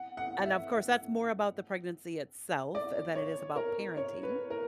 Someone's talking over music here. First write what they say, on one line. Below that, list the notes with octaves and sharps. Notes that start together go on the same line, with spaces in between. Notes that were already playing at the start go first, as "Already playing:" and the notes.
And of course, that's more about the pregnancy itself than it is about parenting.
Already playing: F#5
F#5
E5
D5
C#5
A#4
C#5
B4
A#4